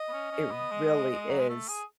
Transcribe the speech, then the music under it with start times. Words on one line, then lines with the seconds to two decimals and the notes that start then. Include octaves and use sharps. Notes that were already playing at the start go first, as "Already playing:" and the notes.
It really is.
Already playing: D#5
0.08 B3
0.13 C#4
0.32 C#4
0.51 B3
0.71 G#3
1.11 G#3
1.30 F#3
1.39 G#3
1.49 A3
1.68 G#4